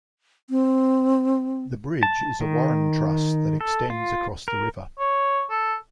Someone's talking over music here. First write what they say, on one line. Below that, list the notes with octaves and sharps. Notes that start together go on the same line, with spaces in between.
The bridge is a Warren truss that extends across the river.
C4
A5
D#3
A4
F4
A#4
C#5
A4